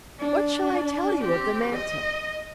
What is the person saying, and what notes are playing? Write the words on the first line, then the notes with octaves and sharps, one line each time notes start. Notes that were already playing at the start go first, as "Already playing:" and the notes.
What shall I tell you of the mantle?
D4
C4 G4
D#5